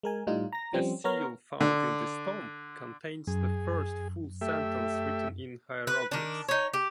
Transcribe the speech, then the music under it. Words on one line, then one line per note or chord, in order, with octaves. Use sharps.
A seal found in this tomb contains the first full sentence written in hieroglyphs.
G#3 A#4 G#5
A2 G3 D#4 F4
A#5 A#6
F3 G3 C4 C#4
B3 A#4 C#5 A#5 F6
D3
F#2 G#4
A3 G4 E5
B4
D#3 D4
D#4 C#5
G4